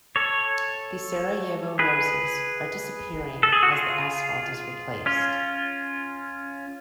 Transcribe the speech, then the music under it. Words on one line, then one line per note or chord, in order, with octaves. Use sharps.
The Sarajevo roses are disappearing as the asphalt is replaced.
A4 C#5
G#4 B4
A4
G#4
F#4
F4 G#4
C#4 F4